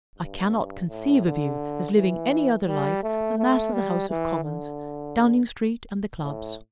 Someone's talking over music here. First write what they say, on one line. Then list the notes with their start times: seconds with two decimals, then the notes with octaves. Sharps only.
I cannot conceive of you as living any other life than that of the House of Commons, Downing Street, and the clubs.
0.19 G2
0.89 A2
1.25 D3
1.96 E3
2.67 G3
3.03 A3
3.38 A3
3.73 G3
4.09 E3
4.44 D3
6.23 A2